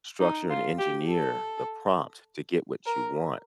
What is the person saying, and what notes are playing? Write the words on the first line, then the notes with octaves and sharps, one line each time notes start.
structure and engineer the prompt to get what you want.
D#4
F4
G4
A4
A#4